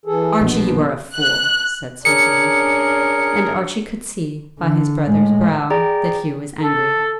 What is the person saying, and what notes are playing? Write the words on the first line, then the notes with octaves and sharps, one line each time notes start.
"Archie, you are a fool," said Sir Hugh; and Archie could see, by his brother's brow, that Hugh was angry.
E3 G#4 A4
A#1 B2 B3
F#6
C#4 D4 G#4 A#4 C#7
D3
A2 G#3
G#4 D5 G5 A#5
A4